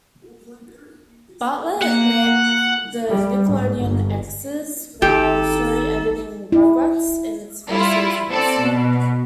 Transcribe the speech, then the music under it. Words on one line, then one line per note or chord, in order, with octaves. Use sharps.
Bartlett met the Nickelodeon execs while story editing "Rugrats" in its first seasons.
A#3 F#5
G3
G#2
G1
G#1 D#4 G4 A4
E4
G3 E4 F4
C4 A4 D5
B2